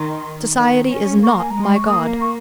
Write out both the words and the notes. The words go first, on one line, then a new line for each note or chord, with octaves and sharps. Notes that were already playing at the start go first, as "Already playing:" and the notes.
Society is not my God.
Already playing: D#3 C6
D#3
C#4
A#3 C#6
G#5
A#5
G#3
C6
C#6
A#3 D#6
C#6